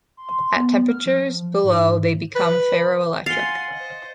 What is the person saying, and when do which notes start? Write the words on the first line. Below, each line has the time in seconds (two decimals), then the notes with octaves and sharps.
At temperatures below they become ferroelectric.
0.17 C6
0.56 B3
0.88 F6
1.06 F3
1.63 G#2
2.35 B4
3.26 F5 F#5 G#5 C6 A6 C#7 G7
3.73 C5 D#5